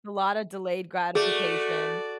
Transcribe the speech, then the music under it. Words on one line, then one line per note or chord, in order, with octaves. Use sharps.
A lotta delayed gratification.
A3 F#4 G#4 D5